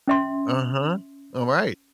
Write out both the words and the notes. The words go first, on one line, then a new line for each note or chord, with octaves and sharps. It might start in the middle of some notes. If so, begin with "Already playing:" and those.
Uh-huh. Alright.
C#4 E5 C6